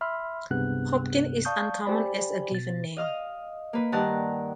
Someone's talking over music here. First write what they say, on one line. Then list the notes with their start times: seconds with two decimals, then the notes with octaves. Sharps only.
Hopkin is uncommon as a given name.
0.01 E5 B5 C6 E6 F6
0.50 C#2 G2 C3 B3 G#4 F#6
1.45 D5 F5 A5 C#6 D#6 G6
1.85 G4 C5 D5 G#5 B5
2.51 B2 A6
2.97 D#5 F5 D#6 F6
3.73 A#3 B4
3.92 G2 D#3 D4 A#4 F#5 A5